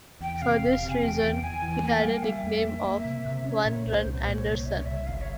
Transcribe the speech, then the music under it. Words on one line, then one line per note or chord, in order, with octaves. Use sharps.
For this reason, he had a nickname of "One Run Anderson".
E2 G5
C3 F5
E1
C3
G#5
E2 G5
E2
E2 G#5
E3
A#3 G#5
G5
G3 F5
G5
G3 E5
F2
A#3
A#3
C3
C3
C#4 C#5 E5
A#2
C2 C5
C2
C5
A#2 C#5
C2
C2 E5
C#5
C2 E5
G1 F5
E5
C#5